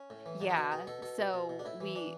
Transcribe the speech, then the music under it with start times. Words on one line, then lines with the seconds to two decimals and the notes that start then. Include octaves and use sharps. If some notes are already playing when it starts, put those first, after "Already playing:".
yeah, so we
Already playing: C#4
0.10 A2
0.26 E3
0.40 B2 D4
0.49 G#4
0.56 B2 F#4
0.71 B2 G#4
0.87 B2 A4
1.02 B2 A4
1.19 B2
1.33 B2
1.49 B2
1.59 D4
1.65 A2 E4
1.80 E3
1.95 E3 D4